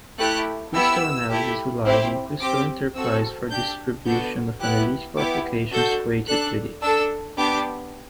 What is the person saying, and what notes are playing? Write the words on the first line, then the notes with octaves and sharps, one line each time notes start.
Crystal Analysis relies on Crystal Enterprise for distribution of analytical applications created with it.
A3 E4 G4 F#6
B3 E4 G4 E6
A3 E4 G4
C4 E4 G4
C4 G4 D6
C4 F#4 A4 E6
D4 G4 G6
B3 D4 F#4 A4 G6
B3 E4 G4 F#6
B3 E4 G4 D6
D4 F#4 A4 G6
D4 A4 F#6
D4 A4 E6
B3 D4 G4 D6